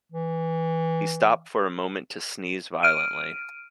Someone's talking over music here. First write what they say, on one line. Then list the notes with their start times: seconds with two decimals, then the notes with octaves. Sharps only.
He stopped for a moment to sneeze violently.
0.12 E3
2.83 F6 D7 D#7